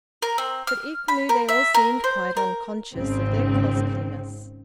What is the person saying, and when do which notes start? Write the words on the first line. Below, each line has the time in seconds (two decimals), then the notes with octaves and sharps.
But equally, they all seemed quite unconscious of their costliness.
0.22 A#4
0.38 C4
0.67 F6
1.08 B5
1.29 A#4
1.49 E5
1.74 A#4
2.04 C5
2.37 A#4
2.93 G#1 C#3 C4